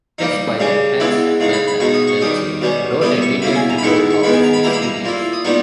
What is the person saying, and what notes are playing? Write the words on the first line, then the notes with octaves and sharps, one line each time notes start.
Test pilot Hans-Werner Lerche wrote a detailed report of his experience.
G3 A#3 D#4
C#3 G3 C#4
C#3 E3 G#3 B3 E4
C#3 G#3 D#4
B5
B5
B2 G#3 D#4 C#6
D#6
C#6
D#3 G3 C#4 D#6
B2 G3 C#4
G3 B3 E4 D#6
C#6
B2 A#3 E4 B5
G#5
A#5
B5
D#3 G#3 B3 E4 C#6
C#6
D#3 G#3 B3 B5
G#5
A#5
B5
G3 A#3 E4 A#5
B5
A#5
A#2 A#3 E4
D#6
A#2 G3 B3 D#4 C#6